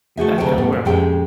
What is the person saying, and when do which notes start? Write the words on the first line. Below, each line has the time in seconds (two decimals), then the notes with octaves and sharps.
and that's kind of where I'm at.
0.17 A3 F#4 G#4 E5
0.38 D2 C3 G3 A3 C#5 G5
0.58 A2 G3 B3
0.72 A#2
0.85 F2 A#2 G#3 C#4 G4 G5